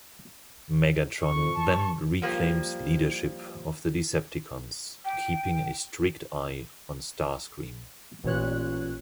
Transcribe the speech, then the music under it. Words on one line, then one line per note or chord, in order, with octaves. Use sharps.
Megatron then reclaims leadership of the Decepticons, keeping a strict eye on Starscream.
F2 C#6
A5
F3 G3 A#3
G5
A1 A#2 C#5 F#6